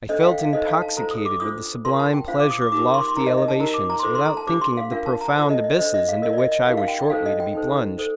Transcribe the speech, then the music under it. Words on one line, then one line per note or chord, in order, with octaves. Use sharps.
I felt intoxicated with the sublime pleasure of lofty elevations without thinking of the profound abysses into which I was shortly to be plunged.
D4 A4 C5 D#5
G5
F5
F5
D#4 A4 C5 D#5
F5
A5
F4 A4 C5 A#5
D#6
D6
D4 F4 C5 D#6
F4 A#4 C6
A5
G5
D4 F4 C5 F5
D6
D#6
D6
D#4 G4 A#4 D6
C6
D6
C6
D#4 A#4 A#5
D#5
D#5
A5
D#4 G4 A#4 A#5
D6
A#5
C6
F4 A4 C5 D6
C6
A#5
A5
D4 G4 C5 D6
C6
F5
D4 F4 A#4 F5
A5
A#5
F4 A4 C5 A5
D#5
D#5
D4 A4 C5 D#5
D#5
F5
F4 A#4 D#5
D5
D#5
D#5
D#4 G4 A#4 F5
F5
G5
G5
D#4 A4 C5 F5
D#5
G5
D#4 A4 C5
A4 C5